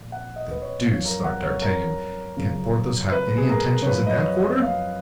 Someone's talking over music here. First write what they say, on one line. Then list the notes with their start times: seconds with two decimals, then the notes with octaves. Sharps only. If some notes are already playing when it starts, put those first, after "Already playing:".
"The deuce," thought D'Artagnan, "can Porthos have any intentions in that quarter?"
Already playing: A#2 F3
0.12 F#5
0.36 D#5
0.51 B4
0.62 C#5
0.86 F#2 F3 C#5
1.05 A#4
1.24 F#5
1.43 C#5
1.62 A#4
2.36 F#2 C#3 F3
3.12 B4
3.38 G#4
3.49 A#4
3.82 C#5
3.86 F#2 F3 B4
4.07 D#5
4.12 C#5
4.36 D#5
4.62 F5